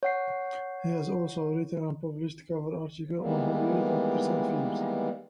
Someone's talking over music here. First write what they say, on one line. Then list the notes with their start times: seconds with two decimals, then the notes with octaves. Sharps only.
He has also written and published cover articles on Hollywood actors and films.
0.03 C#5 F#5 C7
3.18 D#3 E3 G3 G#3 A#3 B3